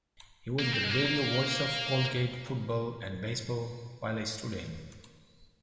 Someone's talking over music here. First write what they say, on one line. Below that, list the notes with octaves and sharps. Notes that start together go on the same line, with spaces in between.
He was the radio voice of Colgate football and baseball while a student.
A#3
C4
G#3
A#3
A#3